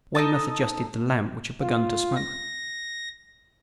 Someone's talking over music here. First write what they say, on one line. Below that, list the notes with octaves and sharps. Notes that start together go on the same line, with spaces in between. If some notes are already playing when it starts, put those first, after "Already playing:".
Weymouth adjusted the lamp which had begun to smoke.
D#4 A4 D#5 A5
F4
A#6